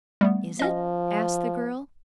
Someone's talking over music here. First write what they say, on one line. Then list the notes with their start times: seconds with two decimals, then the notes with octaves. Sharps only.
"Is it?" asked the girl.
0.21 G3 A3 B3
0.59 F3 C#4 D#5